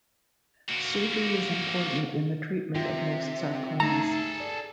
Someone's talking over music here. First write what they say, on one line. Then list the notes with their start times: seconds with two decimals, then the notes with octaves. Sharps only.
Surgery is important in the treatment of most sarcomas.
0.68 A#3 F#4
2.75 C3 F4 G5
3.80 A3 D#4 G#4 A4 A#5
4.40 D5